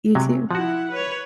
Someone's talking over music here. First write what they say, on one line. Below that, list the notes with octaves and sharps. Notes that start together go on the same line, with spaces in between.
You, too.
C3 F#3 G#3
F3 E4 F#4 F#5
B4 C#5